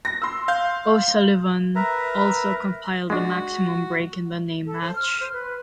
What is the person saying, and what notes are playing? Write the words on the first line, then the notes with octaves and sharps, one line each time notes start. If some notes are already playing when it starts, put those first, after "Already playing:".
O'Sullivan also compiled a maximum break in the same match.
A#6
C6 E6
F5 G6
A#4 B4 E5 A#5
G#3 D4 F#4
A4
C5
F6
C5
B4